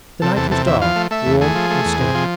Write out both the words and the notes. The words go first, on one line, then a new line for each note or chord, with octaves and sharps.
The night was dark, warm, and still.
C3 A4
E2 A4
C3 A4
E2 E5
F3 F5
A3
A3 E5
E2
A3 G#4
F3
A3
E2
C3
F3